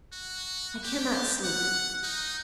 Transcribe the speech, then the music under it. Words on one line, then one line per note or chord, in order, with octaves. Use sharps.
I can not sleep.
F#4
G4
F#5
D#4